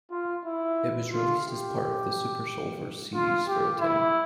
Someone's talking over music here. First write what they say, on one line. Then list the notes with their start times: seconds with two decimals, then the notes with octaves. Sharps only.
It was released as part of the Super Solvers series for a time.
0.11 F4
0.45 E4
1.11 F4
1.45 G4
3.14 F4
3.48 G4
3.80 E4